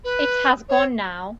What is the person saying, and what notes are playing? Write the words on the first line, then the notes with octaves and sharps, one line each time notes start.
It has gone now.
B4
C#5